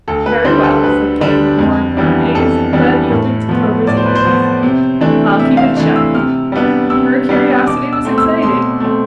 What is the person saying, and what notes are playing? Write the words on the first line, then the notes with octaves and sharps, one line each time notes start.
"Very well," said Katy, more and more amazed, but yielding to Clover's eagerness, "I'll keep it shut." Her curiosity was excited.
D2 A4
B4
D3 G3 D4 C5
A4
D2 B4
D3 G3 D4
F2
E3 G3 B3 D4
F2 A4
E3 G3 B3 D4
A2
F3 B3
A2 D5
C5
B4
C5
F3 B3
C3
E3 A3 D4
C3 E5
F5
E3 A3 D4
E6
C3 F6
G3 B3 D4
C3 E6
G3 B3 D4
B2 D6
E6
A3 C4
E6
B2 C6
A3 C4